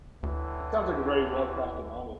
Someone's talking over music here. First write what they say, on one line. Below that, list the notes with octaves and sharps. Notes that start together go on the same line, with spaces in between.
It sounds like a very well-crafted novel.
D2 A2 D3 E3